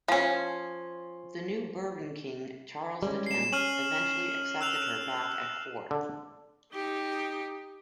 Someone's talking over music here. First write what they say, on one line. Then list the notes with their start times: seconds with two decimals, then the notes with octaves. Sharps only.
The new Bourbon king, Charles the Tenth, eventually accepted her back at court.
0.08 F3 C#4
3.03 G3 G#3 C#4
3.26 C7 E7
3.53 C#4 F6 D#7 F#7
4.61 E6 F#6 F7
5.91 D3
6.73 D#4 G4